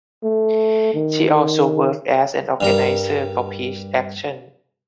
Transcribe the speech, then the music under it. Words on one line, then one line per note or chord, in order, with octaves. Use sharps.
She also worked as an organizer for Peace Action.
A3
D#3
G2 G3 A#4